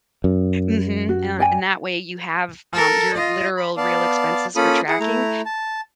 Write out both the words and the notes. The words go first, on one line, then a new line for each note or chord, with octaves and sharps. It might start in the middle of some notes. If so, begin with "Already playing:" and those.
Mhm, uh, and that way, you have, um, your literal real expenses for tracking.
F#2
F#4
D5 G5 G#5
A4 A#4
F4 D#5
B5
B3 D5 F5 A5
A#3 C#4 F4 A4 B5 D#6
E4 G#4 F#5
A3 E4 A#5
A5